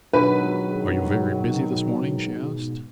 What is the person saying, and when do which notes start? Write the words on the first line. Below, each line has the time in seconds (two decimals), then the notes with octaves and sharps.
"Are you very busy this morning?" she asked.
0.13 G#2 B2 D#3 F#3 D4 F4 B4 G#5